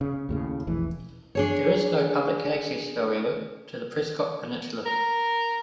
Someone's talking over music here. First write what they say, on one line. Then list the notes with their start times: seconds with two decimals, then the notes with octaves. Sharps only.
There is no public access, however, to the Prescott Peninsula.
0.01 C#3
0.29 D#2 A2 C#3
0.67 E1 A#1 E3
1.35 D4 G#4 C#5
4.86 A#4